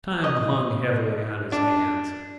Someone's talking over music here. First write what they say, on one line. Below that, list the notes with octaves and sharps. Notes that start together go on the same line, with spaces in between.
Time hung heavily on his hands.
D#5
D4